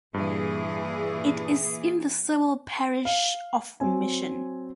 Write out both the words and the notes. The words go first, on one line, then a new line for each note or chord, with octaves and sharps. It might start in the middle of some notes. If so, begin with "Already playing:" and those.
It is in the civil parish of Misson.
G2 A#2 E3 G#4
F5
F#3 C4 G#5